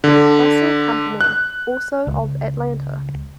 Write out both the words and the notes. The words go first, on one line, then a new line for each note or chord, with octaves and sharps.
Russell Company, also of Atlanta.
D3
F#6
C#2